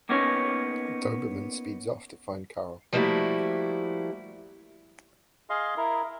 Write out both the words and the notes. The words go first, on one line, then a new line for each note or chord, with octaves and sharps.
Doberman speeds off to find Carl.
A#3 B3 C#4 D#4 C#5
F3 G3 A3 A#3 E4 F#4
G#4 D#5 F5 C6
E4 A#4